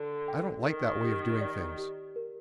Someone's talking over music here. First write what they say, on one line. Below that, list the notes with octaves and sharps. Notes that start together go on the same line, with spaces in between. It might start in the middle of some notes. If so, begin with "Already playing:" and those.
I don't like that way of doing things.
Already playing: D3 D5
G5
D#3 A#4
G4
D5
G4
A#4